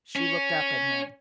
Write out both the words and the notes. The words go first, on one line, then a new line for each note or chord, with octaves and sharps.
She looked up at him.
C#4